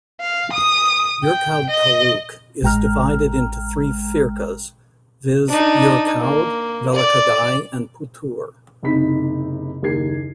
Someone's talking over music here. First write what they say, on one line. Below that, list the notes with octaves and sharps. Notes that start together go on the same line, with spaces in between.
Yercaud Taluk is divided into three Firkas viz., Yercaud, Vellakkadai and Puthur.
F5
D#6
G5
D#5
A1 G#3 G5 A#5 F6
D4 D#4
A#3
D5
F#1 C3 D#4 B5 B6
F#1 D#2 G4 A#4 G#6 C7